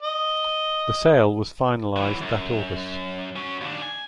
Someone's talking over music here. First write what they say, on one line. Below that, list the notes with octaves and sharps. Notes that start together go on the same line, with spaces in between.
The sale was finalized that August.
D#5
E3 F#3
F#2
C#4 F#4
D#2 D4
G#5